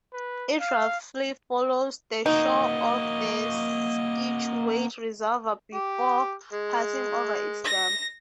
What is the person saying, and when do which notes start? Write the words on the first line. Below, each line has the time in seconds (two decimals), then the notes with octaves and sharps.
It roughly follows the shore of the Scituate Reservoir before passing over its dam.
0.13 B4
0.60 F5
2.26 A#3 D#4 F#4 D#5
5.74 G4
6.53 G#3
7.64 A#6